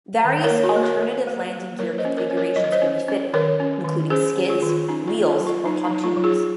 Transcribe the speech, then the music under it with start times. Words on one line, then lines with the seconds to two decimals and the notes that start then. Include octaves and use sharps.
Various alternative landing gear configurations could be fitted, including skids, wheels, or pontoons.
0.25 D#3
0.44 A#4 C#5
0.50 A#3
0.63 F#4 A#4
0.76 A#3
0.83 A#4 C#5
1.03 A#3
1.27 A#3
1.53 A#3
1.79 F#3 A#4 C#5
1.98 C5 D#5
2.05 C#4
2.17 A#4 C#5
2.31 C#4
2.37 A#4 C#5
2.56 F#3 D#5
2.64 C#5
2.72 C5 D#5
2.82 C#4
3.08 C#4
3.34 D#3 A#4 C#5
3.60 C#4
3.85 D#3
4.10 C#4 G#4 C5
4.37 C#4
4.49 F4 G#4
4.62 D#3
4.69 F4
4.88 C#4 D#4
5.07 F4
5.14 A#3
5.27 F4
5.40 F#3
5.47 F4
5.66 F#3 D#4
5.85 D#4
5.91 F#3
6.04 F4
6.16 F#3
6.24 F4 G#4